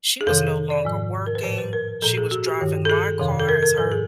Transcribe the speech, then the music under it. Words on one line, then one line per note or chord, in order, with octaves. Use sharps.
she was no longer working, she was driving my car as her
G#4
F2 C3 D#3 A4
D5
G#2 F3
A#4
B4
A2 F3 C5
B4
A#4
A#2 F3 A4
G#4
F#4
G4
G2 D#3
A4
G#4
F2 C3 D#3
A4
A#4
A#4
G#2 F3 A4
G#4